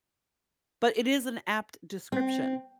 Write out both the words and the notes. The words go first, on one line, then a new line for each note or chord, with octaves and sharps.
but it is an apt description,
C4